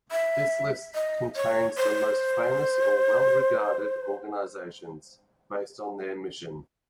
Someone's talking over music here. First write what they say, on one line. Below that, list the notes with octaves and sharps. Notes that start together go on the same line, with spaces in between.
This list contains the most famous or well-regarded organizations, based on their mission.
E5
D#5
C#5
C5